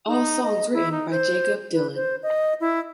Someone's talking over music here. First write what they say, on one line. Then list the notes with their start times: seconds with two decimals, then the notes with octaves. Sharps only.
All songs written by Jakob Dylan.
0.07 D#4
0.43 D#5
0.73 E4
0.92 D#4
1.11 C5
1.73 B4
1.96 C5
2.23 D#5
2.61 E4